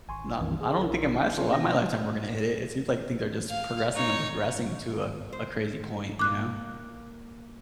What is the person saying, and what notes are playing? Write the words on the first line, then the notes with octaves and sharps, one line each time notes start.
not I don't think in my my lifetime we're gonna hit it, it seems like things are just progressing and progressing to a to a crazy point, you know?
G#1 G#5 C6 C#6
A#1 F2 D#3 E3
G#4
A#1 E4 A#4
F4 G#4 C#5 C6
B2 C#4 E4 C5 G5 A#6
F5
D#4 C#5
C5
A#2 A#3 D6 F#6